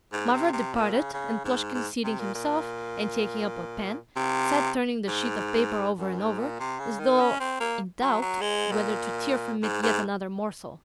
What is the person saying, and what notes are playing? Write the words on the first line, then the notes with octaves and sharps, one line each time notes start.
Mavra departed, and Plushkin, seating himself, and taking up a pen, sat turning the sheet of paper over and over, as though in doubt whether to tear from it yet another morsel.
G#2
C3
C3
A#2
C#3
C#3
G#2
G#2
C3
A#2
A#2
C3
G#2
F#2
G#2
A#2
C3
C#3
D#3
C#4
C4
A#3
F#3
F#3
G#3
A#2
G#2
G#2